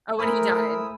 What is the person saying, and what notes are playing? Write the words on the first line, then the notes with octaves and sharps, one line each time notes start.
oh, and he died.
A3 E4 A#4 C5 G#5 B5 D#6 E6